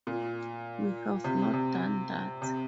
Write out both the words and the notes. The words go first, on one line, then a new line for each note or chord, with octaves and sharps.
We have not done that.
A#2
C3
C3
C3